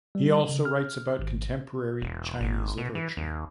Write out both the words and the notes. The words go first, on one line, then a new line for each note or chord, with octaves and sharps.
He also writes about contemporary Chinese literature.
G3
C#3
F6
G#1
E1
G#1
B2
E3
D#2